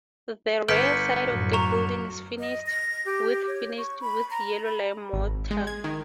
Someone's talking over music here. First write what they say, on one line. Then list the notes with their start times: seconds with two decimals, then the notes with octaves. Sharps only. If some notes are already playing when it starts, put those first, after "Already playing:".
The rear side of the building is finished with finished with yellow lime mortar.
0.68 G1 B4 F6 G6 B6 C#7 D7
1.24 F#2 A2 F#3
1.53 A#5 C#6 F7
2.39 D#5
2.67 A#6
3.05 G4
3.47 C#5
3.78 C#6
4.01 B5
4.31 A#5
4.64 B5
5.13 G#1
5.51 G#3
5.67 G#6
5.84 D#3